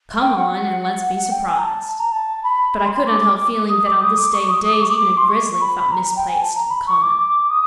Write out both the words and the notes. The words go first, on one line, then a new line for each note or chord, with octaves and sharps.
"Come on and let's be surprised." But I could not help feeling that on this day of days even a grizzly felt misplaced and common.
G5
F#5
F#5
F#5
G5
G#5
A#5
A5
A#5
A5
B5
B5
C6
B5
C6
D6
D#6
D6
D#6
D6
C#6
D#6
D#6
D6
C#6
D6
C6
C#6
B5
A#5
G5
G#5
A5
A#5
B5
C#6
D6
D6
D#6